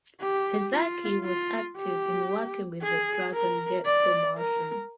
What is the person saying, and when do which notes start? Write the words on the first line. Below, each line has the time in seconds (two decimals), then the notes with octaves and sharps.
Ezaki was active in working with the Dragon Gate promotion.
0.21 G4
0.73 F4
1.24 F4
1.78 G4
2.82 G#4
3.34 A#4
3.85 D5
4.38 A#4